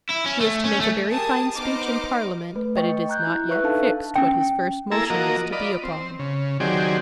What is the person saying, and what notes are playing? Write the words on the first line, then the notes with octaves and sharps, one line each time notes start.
He is to make a very fine Speech in Parliament, but it is not yet Fixed what his First Motion is to be upon.
E4
C#4
A3
C#4
A3
G4 G#4 A#4 A5 D#6
B3 D#4 C5 D#5 D6 F6
A3 B4
D#5 G5 C#6
A#5 F#6 G6
E4
B4 E5 C#6 F#6
D4 D#4 A4 F5 A5
C#4 G5
A#3 E4 G#4 A4 A#5 E6
F3 A#3 F#4 A#4 D#5
F4 D5 D#5 B5
C4
C#3
D#3 F#3 C4 G4 G#4 D5